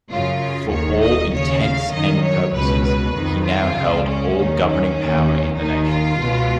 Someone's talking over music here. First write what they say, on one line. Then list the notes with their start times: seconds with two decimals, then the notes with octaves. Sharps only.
For all intents and purposes, he now held all governing power in the nation.
0.11 F#2 C#3 F4
0.71 D#2 D#3 C#5
1.01 D#5
1.32 D#2 C#3 C#5
1.62 F5
1.93 F#2 D#3 D#5
2.23 C#5
2.54 C#2 B2 B4
2.85 B4
3.15 F2 D#3
3.45 F4
3.76 C#2 C#3
4.06 C#4
4.37 D#2 D#3
4.67 C#4
4.97 D#2 D#3
5.58 D#2 D#3 D#4
5.88 F4
6.19 C#2 B2